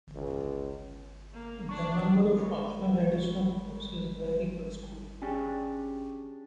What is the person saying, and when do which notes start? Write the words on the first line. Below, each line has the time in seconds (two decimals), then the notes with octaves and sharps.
The number of optional additional courses vary per school.
0.14 C#2
1.33 A#3
1.69 D4 C#6
2.38 G3 G#3 A#4 B4 C#5
5.22 C#4 D4 G4 G#4